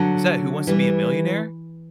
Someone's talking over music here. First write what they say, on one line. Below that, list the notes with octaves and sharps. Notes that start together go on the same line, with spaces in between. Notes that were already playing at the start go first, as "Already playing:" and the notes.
was that, Who Wants to Be a Millionaire?"
Already playing: D3 F#3
E3 G3